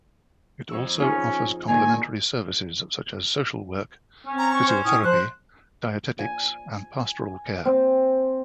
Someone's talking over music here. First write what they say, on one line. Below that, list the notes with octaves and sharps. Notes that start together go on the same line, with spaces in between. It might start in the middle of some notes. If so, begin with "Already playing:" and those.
It also offers complementary services such as social work, physiotherapy, dietetics and pastoral care.
F2 C#6 E6
C#4 D#4 F4 G#4
A#2 D3 D#3 G#5
C4 C#4
A#5
C#6
C5
A2 D#6
F3 C5 F#6
G#5
C4